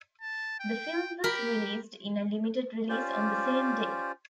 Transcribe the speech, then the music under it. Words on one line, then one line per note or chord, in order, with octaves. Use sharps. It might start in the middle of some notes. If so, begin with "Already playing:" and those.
The film was released in a limited release on the same day.
A5
G5
G4 A#4 B5
C#4 F4 G4 C5 D5